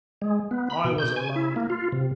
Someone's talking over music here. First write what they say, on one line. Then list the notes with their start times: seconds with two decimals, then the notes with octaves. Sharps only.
I was alone.
0.22 G#3
0.51 B3
0.70 B5
0.84 B2
0.98 G6
1.16 G#5
1.36 E4
1.56 A#3
1.70 F4
1.92 C3